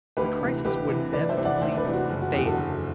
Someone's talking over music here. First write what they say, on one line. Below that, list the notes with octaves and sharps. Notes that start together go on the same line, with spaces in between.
The crisis would inevitably fail.
D2 G4 B4
C3 E3
D2 G4 B4
C3 E3
D2 B4 D5
C5 E5
C3 E3
D5 F#5
D2 C5 E5
B4 D5
C3 E3
F#4
F#1
F#4
E2 D3 G4
F#4 A4
F#1